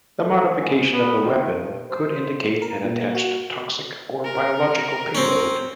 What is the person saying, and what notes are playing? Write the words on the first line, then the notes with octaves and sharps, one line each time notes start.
The modification of the weapon could indicate an attached toxic or biological payload.
A3
G#2
B3
D#3
G2
C5
A#4
A#2
A#3
F#4
A#4
C4 C#4